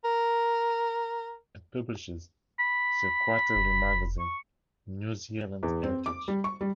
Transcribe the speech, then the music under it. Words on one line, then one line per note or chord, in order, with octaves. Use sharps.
It publishes the quarterly magazine "New Zealand Heritage".
A#4
B5
F1
C#6
E2
C4
D6
G3
C#6
G3